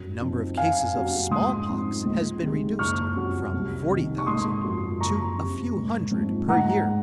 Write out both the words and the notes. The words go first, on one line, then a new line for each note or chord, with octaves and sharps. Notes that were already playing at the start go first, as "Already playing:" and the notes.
The number of cases of small-pox has been reduced from forty thousand to a few hundred per year.
Already playing: F#2
F3 C4 D#4
F2 F5 G#5
C3 F#3 C#4
G#2 C6 D#6
F3 C4 D#4
C#2
C3 D#3 G#3
F#1 C#6 F6
F2 C3 F#3 C#4
C2
C3 D#3
C#6
G#1 C6 D#6
F#2 F3
F#1 A#5 C#6
F2 C3
G#1
G#2 F3 C4 D#4
G#2 F#5 A#5
G#3 D#4